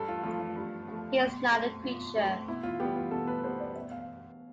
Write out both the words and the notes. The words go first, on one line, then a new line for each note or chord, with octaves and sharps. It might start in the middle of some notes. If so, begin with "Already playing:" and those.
He is not a creature.
Already playing: G2 A4
F4
F3 A3 F4
F4
G2
F3 A3
B2
A3 C4
B2 F4
A3 C4
B2 E4
F4
G3 B3 G4
F4
B2 A4
B4
G3 B3 C5
D5
B2 E5
F5